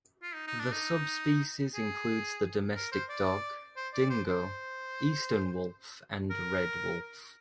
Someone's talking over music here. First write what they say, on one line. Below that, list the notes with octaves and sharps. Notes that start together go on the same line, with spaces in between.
The subspecies includes the domestic dog, dingo, eastern wolf and red wolf.
F4
D#4
D#4
D4
D#4
G#4
A#4
C5
D5
C5
D5
C5
C5
A#4